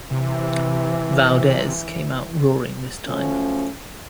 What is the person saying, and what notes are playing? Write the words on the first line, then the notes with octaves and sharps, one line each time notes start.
Valdez came out roaring this time.
C3 E3
F3 F#3 A3 C#4